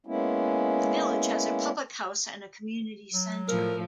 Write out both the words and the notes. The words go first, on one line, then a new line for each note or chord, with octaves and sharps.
The village has a public house and a community centre.
G#3 A#3 B3 C#4 E4
F#3
A2 F3 A#4